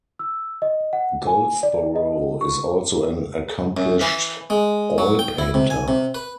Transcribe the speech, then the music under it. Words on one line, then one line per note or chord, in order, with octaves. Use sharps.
Goldsboro is also an accomplished oil painter.
E6
D#5
F#5
G#5
D5
D#5
C#6
F#2
E3
G#3
F#3
G5
E4
C3
G#5
C3
B4